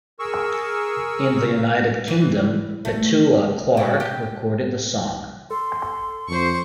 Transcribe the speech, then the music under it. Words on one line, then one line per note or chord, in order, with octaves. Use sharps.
In the United Kingdom, Petula Clark recorded the song.
G#4 A#4 C#6 E6
E3
A3
B2
G4
A4 C6
F2 C5 C#6